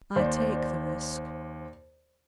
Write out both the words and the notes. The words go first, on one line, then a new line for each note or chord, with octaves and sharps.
'I take the risk.
D#2 C5 D5